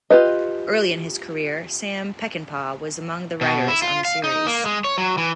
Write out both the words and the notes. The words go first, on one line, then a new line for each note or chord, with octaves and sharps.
Early in his career, Sam Peckinpah was among the writers on the series.
F4 G4 B4 D#5
B2
E4
F4
F5
D#4
A#3
G#3
C#5
F#3
E3